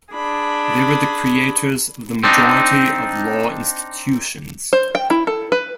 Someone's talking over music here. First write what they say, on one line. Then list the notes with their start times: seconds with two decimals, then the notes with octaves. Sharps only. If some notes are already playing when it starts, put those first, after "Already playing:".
They were the creators of the majority of law institutions.
0.15 D4 G#4 B5
2.23 C4 D4 D#4
4.73 C5
4.95 G5
5.10 E4
5.27 A4
5.52 B4